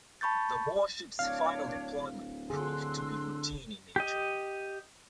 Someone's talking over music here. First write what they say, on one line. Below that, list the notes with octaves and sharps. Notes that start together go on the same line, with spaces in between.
The warship's final deployment proved to be routine in nature.
A5 B5 C#6 G6 A6
D1 D4 C#5 F5
D3 G#4 C6 E6 F#6
G4 D#5